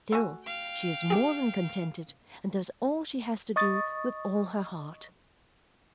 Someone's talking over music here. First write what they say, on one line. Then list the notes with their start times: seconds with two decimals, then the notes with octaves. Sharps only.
Still, she is more than contented and does all she has to do with all her heart.
0.12 A3 F#4 G#5
0.45 F5 G5
1.10 G4 G#4
3.56 D#5 C#6 D#6 A6